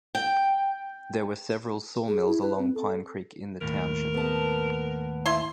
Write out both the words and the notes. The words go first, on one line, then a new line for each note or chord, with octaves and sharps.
There were several sawmills along Pine Creek in the township.
G5
G#4
E4
B4
C4
A4
D#2 A2 A#4
B3 A5
E4 C6